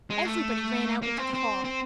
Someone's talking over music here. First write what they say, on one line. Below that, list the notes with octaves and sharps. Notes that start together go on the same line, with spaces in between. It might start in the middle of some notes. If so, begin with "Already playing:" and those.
Everybody ran out into the hall.
G#3
A3
A#3
C4
C4
C4